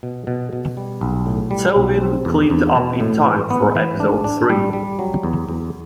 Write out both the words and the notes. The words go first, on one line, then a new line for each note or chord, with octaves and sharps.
Selwyn cleaned up in time for episode three.
B2
B2
B2
G3
B1
A2
G3
B1
C4
E2
E2
B2
A2
E3
B3
E3
D4
D4
G3
G3
F#3
E2
E2